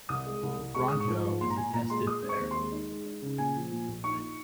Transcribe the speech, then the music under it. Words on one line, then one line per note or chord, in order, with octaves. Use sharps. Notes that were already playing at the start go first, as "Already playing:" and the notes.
Fronto is attested there.
C2 D#6
G#3
C2
C2
G#3 C#6
G#2 D#6
C#6
F3
G#2
A#2 C6
A#5
A#2 G#5
A#2 A#5
G#3 C6
G#3 D#6
C4
C#6
D#2
G#3 C6
D#4
G#3
D#4
C#3
A#2 G#5
F3
A#2
A#1
D#4 C#6